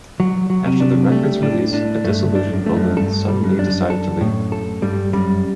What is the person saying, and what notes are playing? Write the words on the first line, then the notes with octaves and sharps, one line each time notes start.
After the record's release, a disillusioned Bolin suddenly decided to leave.
F#3
F#3
C3
D4
G3 A3
A2 D4
A2 D4
G2 A3
D4
F#2
A3
F#2
G2 A4
G3
F#2
D4
A4
A2
A4
G2 G3
F#2 G3